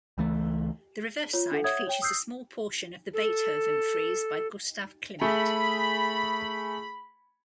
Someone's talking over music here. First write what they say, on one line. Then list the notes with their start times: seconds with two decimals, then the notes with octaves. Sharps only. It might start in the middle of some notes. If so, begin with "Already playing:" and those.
The reverse side features a small portion of the "Beethoven Frieze" by Gustav Klimt.
0.18 C#2 E3 A3
1.33 F4 C#5
1.51 D4 A4 F#5
1.64 C#5 E5 F#5 D#6 G#6
1.87 C#5 G5
2.02 D#6 E6 G6 C7
3.14 A4
5.22 A3 G#4 B5